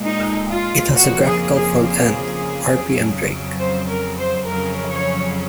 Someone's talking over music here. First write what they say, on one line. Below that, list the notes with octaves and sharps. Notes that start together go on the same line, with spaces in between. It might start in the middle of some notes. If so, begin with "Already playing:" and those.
It has a graphical front-end: Rpmdrake.
Already playing: A#2 G#3
D#4
F4
F2 C#3 F3 A#3 F#4
G#4
G#4
G#4
F2 C#3 F#3
C5
A#4
C5
F2 C#3 F#3 C#4 A#4
C#5